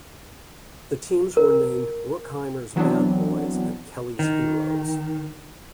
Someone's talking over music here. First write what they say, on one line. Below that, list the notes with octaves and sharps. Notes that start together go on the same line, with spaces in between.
The teams were named Bruckheimer's Bad Boys and Kelley's Heroes.
A#4
E3 F#3 B3 C4 D4
D#3